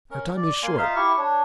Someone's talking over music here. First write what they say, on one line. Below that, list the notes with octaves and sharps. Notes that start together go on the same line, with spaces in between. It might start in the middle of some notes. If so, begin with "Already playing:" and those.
Our time is short.
C#4 A#4
D5
A#3 F5 G#5 C6
D#4 F4 E5 F5
E4 G4 C#6
D4 C#5